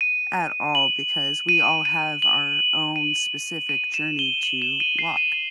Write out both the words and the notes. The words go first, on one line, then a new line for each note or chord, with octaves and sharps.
at all because we all have our own specific journey to walk.
D#7
F#7
D#7
D#7
F#7
D#7
D#7
E7
G7
F#7
E7
D#7
C7
D#7